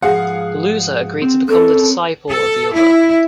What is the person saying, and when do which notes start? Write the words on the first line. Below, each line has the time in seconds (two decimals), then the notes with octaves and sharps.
The loser agreed to become the disciple of the other.
0.02 G#2 F3 G#4 F5 F#5
1.22 C4
1.49 C4 C#4 A4 A#4
2.30 A4
2.74 E4